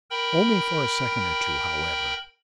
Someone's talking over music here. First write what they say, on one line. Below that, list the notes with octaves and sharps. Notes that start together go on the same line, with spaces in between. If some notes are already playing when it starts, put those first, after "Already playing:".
Only for a second or two, however.
A#4 G5 B5